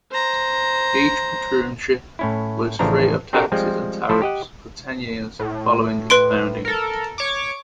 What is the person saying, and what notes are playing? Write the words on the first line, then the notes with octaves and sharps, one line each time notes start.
Each patroonship was free of taxes and tariffs for ten years following its founding.
C5 A#5
A2 C#4 E4
A1 C#3 E3 F3 D4 A#5
C4 D4 F#4 G4 A4 A#4
F3 G3 G#3 C4
F3 A3 E4 A4 C5
G4 D#5 F#5
A2
B4 C6 D7
A4 A#4
C#5 C#6 D6